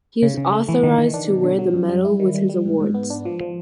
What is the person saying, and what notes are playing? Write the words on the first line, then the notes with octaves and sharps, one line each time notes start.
He is authorized to wear the medal with his awards.
C#3
C#3
A3
E3
D#3
D#3
D4
B2
D3
F#3
F#2
G3
E4
D#3
G3
G3
G#2
G#2
B3
D4
F3
F3